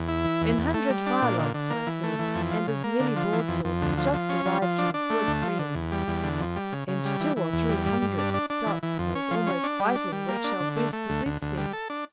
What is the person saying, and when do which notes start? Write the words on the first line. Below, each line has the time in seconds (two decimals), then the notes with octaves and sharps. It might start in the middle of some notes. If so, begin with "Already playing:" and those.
An hundred firelocks, my friend, and as many broadswords, just arrived from good friends; and two or three hundred stout fellows almost fighting which shall first possess them.
Already playing: E2
0.09 E4
0.25 E3
0.41 E2
0.58 E2
0.74 A3
0.90 G3
1.06 D4
1.22 A#2
1.38 D3
1.54 D3
1.70 A#3
1.87 E3
2.03 A3
2.19 E3
2.35 F2
2.51 F3
2.67 C#3
2.84 A#3
3.00 D3
3.16 F3
3.32 E3
3.48 F2
3.65 F2
3.81 D2
3.98 F3
4.13 F3
4.29 C#4
4.45 F3
4.62 F3
4.78 D4
4.94 D4
5.10 A3
5.27 D2
5.42 F3
5.59 D3
5.75 E2
5.92 G3
6.08 E2
6.24 D3
6.40 F2
6.56 G3
6.72 C#3
6.88 C#3
7.05 G3
7.21 E3
7.36 E3
7.53 E2
7.69 G3
7.86 G2
8.02 G2
8.18 D4
8.34 D4
8.50 D4
8.66 E3
8.83 E3
8.99 F2
9.15 C#4
9.31 F3
9.47 C#4
9.64 D4
9.80 G3
9.95 D4
10.12 G3
10.28 A#3
10.44 D4
10.60 D3
10.77 A3
10.93 A3
11.10 D2
11.26 D2
11.42 D2
11.58 G3
11.73 A4
11.90 D4